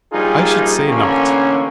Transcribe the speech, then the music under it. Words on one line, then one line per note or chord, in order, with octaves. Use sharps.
I should say not.
A#1 G3 D#4 F4 G#4
A1 D3 A#3 C#4